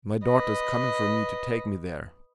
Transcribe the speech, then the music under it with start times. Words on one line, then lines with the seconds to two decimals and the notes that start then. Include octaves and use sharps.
"My daughter is coming for me to take me there."
0.25 B4 D#5